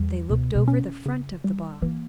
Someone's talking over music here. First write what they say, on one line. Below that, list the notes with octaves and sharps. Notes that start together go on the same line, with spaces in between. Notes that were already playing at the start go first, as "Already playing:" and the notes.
They looked over the front of the box.
Already playing: E2 G3
C#2 B2
B2
C#4
C#3
G3
E3 A#3